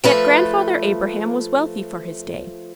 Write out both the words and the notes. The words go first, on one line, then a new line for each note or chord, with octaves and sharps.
Yet Grandfather Abraham was wealthy for his day.
F3 A3 B4